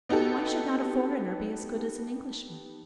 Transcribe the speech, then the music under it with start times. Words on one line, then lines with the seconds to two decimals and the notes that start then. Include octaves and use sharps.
And why should not a foreigner be as good as an Englishman?
0.09 B3 D#4 F#4 G4 A4